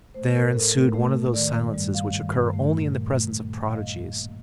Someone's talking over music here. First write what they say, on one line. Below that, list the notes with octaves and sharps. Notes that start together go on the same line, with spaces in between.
There ensued one of those silences which occur only in the presence of prodigies.
A3 C5
A2 A#4
A2 A4
A3 A#4
A3
A2
D#3 D5
G2
G3
G2 F5
D#3
G2
A3
A#2
A#2
A3
A3
A#2
F5
G3 D#5
A2
A#3